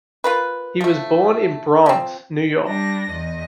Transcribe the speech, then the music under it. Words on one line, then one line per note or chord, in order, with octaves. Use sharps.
He was born in Bronx, New York.
F4 A#4 B4
F3 A3
F3 C4
G3 D4 A#6
E2 D#5